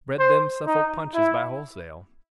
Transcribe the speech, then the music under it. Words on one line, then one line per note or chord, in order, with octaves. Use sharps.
'Bred them Suffolk Punches by wholesale?'
C5
D#4
E4